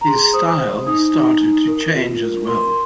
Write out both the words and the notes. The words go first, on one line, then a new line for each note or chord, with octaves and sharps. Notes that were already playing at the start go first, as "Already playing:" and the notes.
His style started to change as well.
A#5
G#4 C6
C5 D#6
C5
D#4 D#6
D#4
D#4
A#4
F4
A#4
A#4 C6